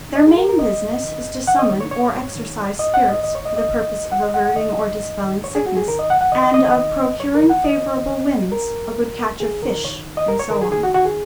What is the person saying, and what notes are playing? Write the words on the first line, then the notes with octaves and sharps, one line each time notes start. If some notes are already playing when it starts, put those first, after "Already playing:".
Their main business is to summon or exorcise spirits for the purpose of averting or dispelling sickness, and of procuring favourable winds, a good catch of fish, and so on.
Already playing: D#3
G#2 D#5
G#4
G#2 A#4
A#4
D#3 D#5
G#2
D#3
G#2
D#3 F#5
D#5
D#3 C#5
C#5
G#2 C#5
G#2
D#3
G#2
G#2 D#5
F#5
G#2
D#5
D#3 D#5
C#5
G#2 D#5
D#5
D#3
G#2
D#3 F#5
D#5
G#2 F#5
F#5
D#3 D#5
G#2
G#2
D#3
G#2 C#5
G#4
G#2 F#4
G#4
D#3 A#4
D#5
F#2 F#5
F#5
D#3 D#5
D#5
D#3 D#5
D#5
D#3
F#2
F#2 C#5
A#4
D#3
F#5
D#3 D#5
D#3
D#3
F#2
F#2 A#4
F#2
F#2
F#2
D#3 G#4
D#3 A#4
D#3 C#5
D#3
D#5
G#2 A#4
C#5
D#3 A#4
G#4
D#3 G#4
F#4
D#3 F#4
G#4